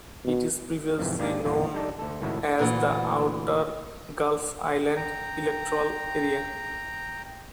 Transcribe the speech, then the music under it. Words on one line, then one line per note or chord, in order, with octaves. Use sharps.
It is previously known as the Outer Gulf Islands Electoral Area.
B2
F2 G#2 C3 E3
G#2 A#3 D4 G4 D5 F5
G1 E2 A#2 D3 F4
G3 D#4 A4 D5
D2 A4
C#2 A2 D#3 E4 F#4 E5
D2 A#2 E3 F#5
G5 A#5